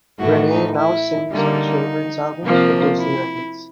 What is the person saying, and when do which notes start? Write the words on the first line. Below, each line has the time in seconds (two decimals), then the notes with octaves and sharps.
Renee now sings on children's albums for Disney Records.
0.19 A2 E3 A3 E4 F#4
0.48 D#4
0.76 E4
1.32 D3 G3 A#3 D#4
2.45 C3 F3 A#3
3.01 E4